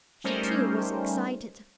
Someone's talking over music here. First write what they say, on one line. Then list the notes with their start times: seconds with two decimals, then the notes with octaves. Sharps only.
She, too, was excited.
0.24 G3 A3 C#4 D#4 A#4 C5